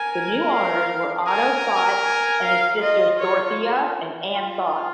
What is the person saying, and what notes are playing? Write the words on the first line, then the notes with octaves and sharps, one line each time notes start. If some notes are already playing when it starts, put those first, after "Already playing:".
The new owners were Otto Thott and his sisters Dorothea and Anne Thott.
Already playing: A#4 G#5
F5
A#4 G#5
G#5
F5
F4 D#5
C#5
F4